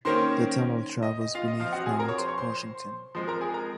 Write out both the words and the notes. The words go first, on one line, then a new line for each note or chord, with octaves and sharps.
The tunnel travels beneath Mount Washington.
D#3 A#3 C#4 C5 C6
D#5
D#5
F4 F5
D#5
F3 C4 F4 F5
F#4 F#5
G#4 G#5
A#4 A#5
C#5 C#6
C5 C6
C#5 C#6
C5 C6
F3 G#3 C4 C5 C6
A#4 A#5
G#4 G#5
A#4 A#5